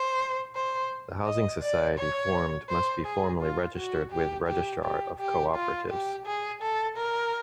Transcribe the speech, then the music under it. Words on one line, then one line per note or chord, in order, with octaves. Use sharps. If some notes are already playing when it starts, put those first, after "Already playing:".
The housing society formed must be formally registered with registrar of co-operatives.
Already playing: C5
C5
D#5
D5
C#5
C5
G#4
F4
F#4
G4
G4
G4
G4
F4
G4
G#4
A4
A#4